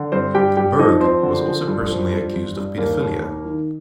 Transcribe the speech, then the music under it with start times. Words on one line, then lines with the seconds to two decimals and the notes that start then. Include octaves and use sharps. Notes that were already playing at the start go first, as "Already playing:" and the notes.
Berg was also personally accused of pedophilia.
Already playing: D3
0.12 G2 C4 C5
0.34 G2 G4 G5
0.57 G2 G4 G5
0.79 F3 D#4 D#5
1.00 F3 C4 C5
1.23 D3
1.45 F3
1.67 G2
1.90 F3
2.12 G2
2.33 G2
2.56 G2
2.77 D#2 A#3 A#4
3.00 D#2
3.22 D#2
3.45 D#3